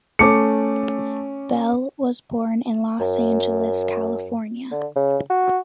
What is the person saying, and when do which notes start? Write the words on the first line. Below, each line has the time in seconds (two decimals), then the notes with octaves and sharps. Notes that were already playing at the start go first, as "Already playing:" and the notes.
Belle was born in Los Angeles, California.
0.19 A3 C#4 D6 C#7
3.00 F#2
4.72 D3
4.96 C#3
5.30 F#4